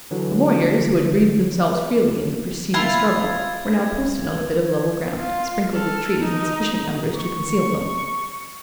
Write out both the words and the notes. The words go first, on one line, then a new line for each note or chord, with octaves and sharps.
The warriors, who had breathed themselves freely in the preceding struggle, were now posted on a bit of level ground, sprinkled with trees in sufficient numbers to conceal them.
D3 E3 F#3
E4 F4 F5 G#6
F4
A4 F6
D#4 D#5
C#6